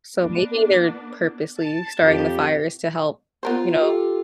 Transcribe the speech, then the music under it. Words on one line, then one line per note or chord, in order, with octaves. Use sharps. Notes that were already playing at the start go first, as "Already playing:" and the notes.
so maybe they're purposely starting the fires to help, you know,
A#3 B3 D4
A5
F2 G4
B3 F4 A#4 C5
G4 A4